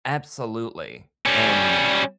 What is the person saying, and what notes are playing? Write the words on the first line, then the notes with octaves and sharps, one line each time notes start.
absolutely, and
G3 C#4